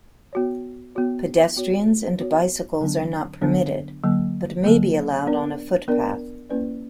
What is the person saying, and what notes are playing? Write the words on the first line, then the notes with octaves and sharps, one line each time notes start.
Pedestrians and bicycles are not permitted, but may be allowed on a footpath.
B3 F#4 C#5
B3 F#4 C#5
B3 F#4 C#5
B3 F#4 C#5
D3 F#3 B3 D4
D3 F#3 B3 D4
D3 F#3 A#3
D3 F#3 A#3
B3 D4 A#4 D5
B3 D4 A#4 D5
A#3 C#4 E4 B4 D5